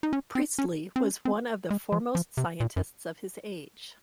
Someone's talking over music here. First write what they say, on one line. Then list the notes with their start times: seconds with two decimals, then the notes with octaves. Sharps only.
Priestley was one of the foremost scientists of his age.
0.03 D#4
0.13 C#4
0.35 C4
0.59 C#4
0.96 C4
1.03 C#4
1.25 C4
1.70 G#3
1.92 F3
2.15 F3
2.37 C3
2.60 A#2
2.76 F#2